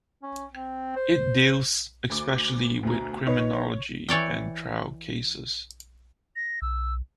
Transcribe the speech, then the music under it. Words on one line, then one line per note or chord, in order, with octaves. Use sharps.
It deals especially with criminology and trial cases.
C#4
C4
C5
D2 D6
D2 B2 A#5
D#4 B4 C#5
E3 C#5 D5 G5
A#6
B1 E6